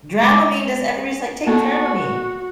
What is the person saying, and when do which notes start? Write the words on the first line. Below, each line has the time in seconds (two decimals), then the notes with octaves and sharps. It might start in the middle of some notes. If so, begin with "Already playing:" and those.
Dramamine does everybody's like, "Take Dramamine."
0.22 G#3 D6
1.47 A#3 B3 F#4 A4